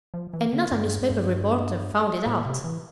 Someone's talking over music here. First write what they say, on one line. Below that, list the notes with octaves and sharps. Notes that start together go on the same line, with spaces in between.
And not a newspaper reporter found it out!
F3
E3
D3
G2
G2
A2
C3
E3